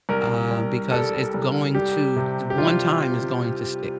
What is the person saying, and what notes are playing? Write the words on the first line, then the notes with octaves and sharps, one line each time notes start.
uh, because it's going to the one time it's going to stick,
C2 A#4
C2
G3 A4
C2
G3 G4
C3
G4
G3 F4